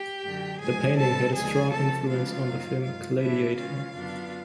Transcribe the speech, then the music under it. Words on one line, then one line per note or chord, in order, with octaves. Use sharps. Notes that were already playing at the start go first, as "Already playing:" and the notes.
The painting had a strong influence on the film "Gladiator".
Already playing: G4 G5
F#2 D3 F#3
A2 F3 G#3 G#4 G#5
B2 G3 C4 A4 A5
D#2 D3 F3 G#3 G#4 G#5
C3 F3 A3 C4 A4 A5
C#3 F3 G#3 B3 D4 F4 F5
F#2 D#3 F#3 A#3
G2 D#3 G#3 F4 F5
A2 E3 A3 D4 E4 E5
C#3 E3 G#3 C#4 F4 F5
F#2 D3 F#3 B3 D4